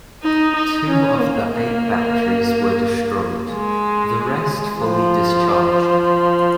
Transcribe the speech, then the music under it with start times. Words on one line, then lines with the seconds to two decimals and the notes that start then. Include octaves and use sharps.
Two of the eight batteries were destroyed, the rest fully discharged.
0.23 D#4
0.56 D#4
0.89 C#4
1.21 A#3
1.54 A#3
3.50 G#3
4.81 F3